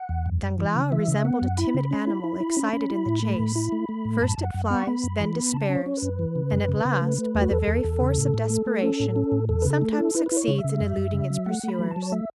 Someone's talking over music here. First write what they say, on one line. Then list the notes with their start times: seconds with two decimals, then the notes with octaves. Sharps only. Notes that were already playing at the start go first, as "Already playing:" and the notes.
Danglars resembled a timid animal excited in the chase; first it flies, then despairs, and at last, by the very force of desperation, sometimes succeeds in eluding its pursuers.
Already playing: F#5
0.09 E2
0.26 F#2
0.42 F#2
0.59 E3
0.75 C#3
0.92 E3 E5
1.08 C#3
1.25 B3 F#5
1.42 F#2
1.58 E4 B5
1.74 C#3
1.91 C#4
2.07 E4
2.24 E4
2.40 E4
2.57 C#4
2.73 C#4
2.90 E4
3.06 A2
3.22 A3
3.39 A2
3.56 E4
3.72 A3
3.89 A3
4.05 A2
4.21 F#2 A5
4.38 F#2
4.43 F#5
4.54 F#2
4.66 B3 F#5
4.76 C#6
4.87 B3 B5
5.04 F#2
5.20 E3
5.37 B3
5.53 C#3 A5
5.70 C#4
5.75 C#5
5.86 C#4
5.97 B4
6.03 F#2
6.19 E3
6.36 C#3
6.52 F#2
6.68 C#3
6.85 C#3
7.01 A3
7.18 A3
7.35 E2
7.41 F#4
7.51 E2 A4
7.67 E2
7.84 E2
8.01 C#3
8.17 A2
8.34 A2
8.50 A3
8.66 A3
8.83 C#4
9.00 A2
9.16 C#4
9.32 A2
9.49 E2 A4
9.62 C#3 B4
9.70 A4
9.82 A3
9.93 A4
9.98 E4
10.15 E4 B4
10.26 B4
10.31 E4
10.37 C#5
10.48 C#3
10.59 E5
10.64 C#3
10.81 F#2
10.97 F#2
11.13 C#3
11.30 F#3
11.46 A3 F#5
11.63 A3 B5
11.79 F#3
11.91 A5
11.96 F#3
12.02 C#5
12.12 A3 E5